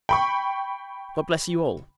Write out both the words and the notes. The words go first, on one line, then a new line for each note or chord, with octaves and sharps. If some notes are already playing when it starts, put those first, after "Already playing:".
God bless you all!
G5 B5 C#6